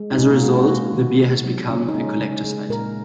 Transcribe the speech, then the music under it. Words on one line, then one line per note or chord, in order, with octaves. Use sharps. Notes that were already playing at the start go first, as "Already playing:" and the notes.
As a result, the beer has become a collector's item.
Already playing: G#3
D#4
A#2 C#4
A#3
G#3 F#4
F#4
A#3
D#3
D#3
F#3
C#3 C#4
D#4
G#3 C#4
C#3
G#3
A#2 A#4